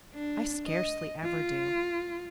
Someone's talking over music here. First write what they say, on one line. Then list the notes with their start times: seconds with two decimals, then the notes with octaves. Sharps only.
I scarcely ever do.
0.14 D4
0.66 D#5
1.23 F4